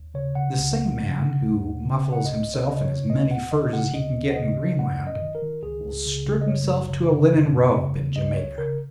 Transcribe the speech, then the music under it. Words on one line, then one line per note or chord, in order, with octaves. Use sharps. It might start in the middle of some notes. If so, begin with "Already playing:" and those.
The same man, who muffles himself in as many furs as he can get in Greenland, will strip himself to a linen robe in Jamaica.
Already playing: D#2
C#3 C#5
C#3 F#5
C#2
C#2
C#3
C#3
D#2
D#2
C#3
C#3
F#5
C#2 D#5
C#2
C#5
C#3 D#5
C#5
C#3
D#2 D#5
D#2 F#5
C#3 D#5
C#3 F#5
D#2 D#5
D#2
F#5
C#3 D#5
C#3
F#2 F#5
F#2
D#5
D#3
A#4
D#3
C#2 G#4
C#2
C#3
C#3
D#5
F#2 C#5
F#2
C#3
C#3
F#2
F#2
C#3
C#3
C#2 D#5
C#2 C#5
C#3 A#4